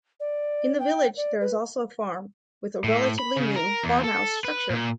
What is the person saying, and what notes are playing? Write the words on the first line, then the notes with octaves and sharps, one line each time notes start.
In the village there is also a farm, with a relatively new farmhouse structure.
D5
G5
D5
B4
A2
B5
C#3
A#4
E2
A4
B4
A#2